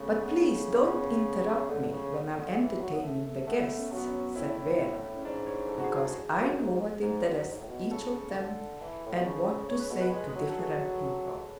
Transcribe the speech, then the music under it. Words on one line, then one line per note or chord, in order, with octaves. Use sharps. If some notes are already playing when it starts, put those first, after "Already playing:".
"But please don't interrupt me when I am entertaining the guests," said Vera, "because I know what interests each of them and what to say to different people."
Already playing: C#3 A3 B3
A3
B3
A3
C#3 B3
D3 A3
D3
C#3
D3
E3
F#3
B3
A3
A3
A3 B3
C#4
F#3 B3
C#4
A2 E4
D4
E4
C#4
G#2 D4
C#5
A4
F#4
G#4
A4
G#4
F#2
G#2
G#2
B2
F#2
G#2
A2
B2
C#3 A4
C#3
D3
E3
A2
B2
C#3
C#3 C#5
B4
B2 A4
B4
G#3
G#3
F#3
A4
G#4